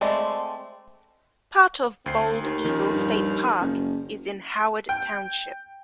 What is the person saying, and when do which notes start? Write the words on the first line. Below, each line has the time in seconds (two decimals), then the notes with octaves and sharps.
Part of Bald Eagle State Park is in Howard Township.
0.01 G#3 A3 C4 D5 B5
2.06 D2 C4 C7
2.41 D#2
2.65 D#3 F3 C#4
2.93 G2
3.61 F#1
4.89 G5